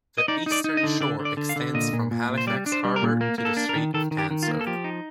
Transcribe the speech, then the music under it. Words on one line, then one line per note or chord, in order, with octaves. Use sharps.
The Eastern Shore extends from Halifax Harbour to the Strait of Canso.
D#5
D#4 D5
D#4
D5
D#4
D#5
D3
D3 D5
D3
D5
D3
F5
D3
A#2 D#5
A#2
A#2
A#2
C5
G3 D5
D4
C5
G3
A#4
A#2
A#3
A#3
A4
D4
A#4
D#3
D#3 A4
D#3
G4
D#3
F4
A#3
A4
F3 G4
D#4